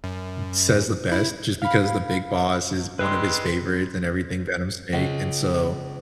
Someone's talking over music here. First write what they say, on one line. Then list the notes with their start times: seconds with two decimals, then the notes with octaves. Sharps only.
says the best, just because the big boss is one of his favorites and everything, Venom Snake. And so,
0.04 F#2
1.12 E4
1.62 F5 B5
2.99 G3 G#3 C4 B4 C6
4.93 C#2